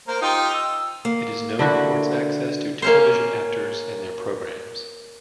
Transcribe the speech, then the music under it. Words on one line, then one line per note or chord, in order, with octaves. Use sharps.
It is known for its access to television actors and their programmes.
A#3 A#4 C5
D#4 F4 G4
E6
A#3
D3 E4 F#4
A#3 C#4 C5